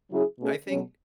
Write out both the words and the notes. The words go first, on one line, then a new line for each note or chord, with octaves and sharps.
I think
C#3 F#3 C#4 E4 G#4
B2 A3 C#4 G#4
B2 F#3 C#4